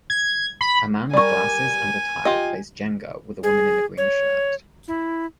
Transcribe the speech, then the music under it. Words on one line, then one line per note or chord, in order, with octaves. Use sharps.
A man with glasses and a tie plays Jenga with a woman in a green shirt.
G#6
B5
G3 A#4 D5 G#5 C#6
F4 G4 D#5
G#4
C#5
E4